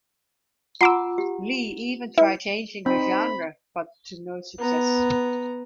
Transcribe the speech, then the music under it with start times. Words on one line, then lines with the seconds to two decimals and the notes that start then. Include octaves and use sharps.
Lee even tried changing her genre, but to no success.
0.81 F4 F#5 A#5 C6 D6 E6
1.18 G4
2.18 E4 B4
2.86 C4 D#4 C5 B5
4.58 B3 A#5